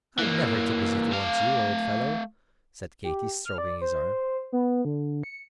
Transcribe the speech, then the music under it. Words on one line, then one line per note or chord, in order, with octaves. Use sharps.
"I'm never too busy to want you, old fellow," said Katy, stroking his arm.
E3 A#3
A3 F5
G4
F6
D5
C5
B3
D3
C#7